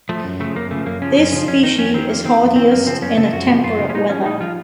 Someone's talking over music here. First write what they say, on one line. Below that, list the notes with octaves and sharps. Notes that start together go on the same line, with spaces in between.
This specie is hardiest in a temperate weather.
F3 A3
F#2
C#3 F3 A3
F#2 A#3
C#3 F3 A3
F#2 A#3
C#3 F3 C#4
F#2 C#4
C#3 F3
F2 C#4
D#3 D#4
F2 C#4
D#3 C4
F2 A#3
D#3 C4
F2
D#3 C4
F#2 A#3
C#3 F3 C4
F#2 C#4
C#3 F3 A4
F#2 F#4
C#3 F3
F#2 F4
C#3 F3
C#4
A2 D#4
F3 C#4
A2 D#4
F3 F4